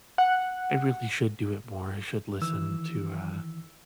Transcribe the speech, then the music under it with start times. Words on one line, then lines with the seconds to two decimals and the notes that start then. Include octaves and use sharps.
I really should do it more. I should listen to, uh,
0.18 F#5
2.41 D#3 E3 E6